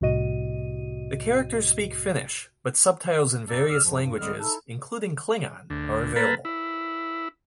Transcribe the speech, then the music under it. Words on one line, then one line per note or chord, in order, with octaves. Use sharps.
The characters speak Finnish, but subtitles in various languages, including Klingon, are available.
C2 A2 C3 F#4 D#5 D#7
F#2 D5 A5 A#5 E6
E2 D5 E6 F6
E2 G2 F3
G2
C2 D3 G3 C4 D#5 F6
D#4 E4 A4
D2
A#3 A4 B4
E4